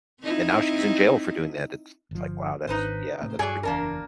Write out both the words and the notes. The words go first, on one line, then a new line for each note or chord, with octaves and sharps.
and now she's in jail for doing that, it's like, wow, that's yeah, that's pretty
C4 D#4 E4
G1 F3
G#1 D#4 B4 C5
A2 C3 A#3
G2 F#3 G#4 D5
F#1 E2 A#3 D4 A#4